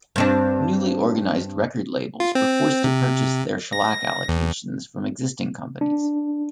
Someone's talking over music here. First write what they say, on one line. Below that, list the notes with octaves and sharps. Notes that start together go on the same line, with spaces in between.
Newly organized record labels were forced to purchase their shellac allocations from existing companies.
G2 C4 D4
F4
C4
C3
A#6
E2
D4